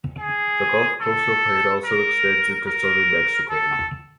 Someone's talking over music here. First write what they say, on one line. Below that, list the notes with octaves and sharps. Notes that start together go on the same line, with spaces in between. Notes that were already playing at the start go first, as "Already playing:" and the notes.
The Gulf Coastal Plain also extends into southern Mexico.
G#4
A4
A#4
A#4
A4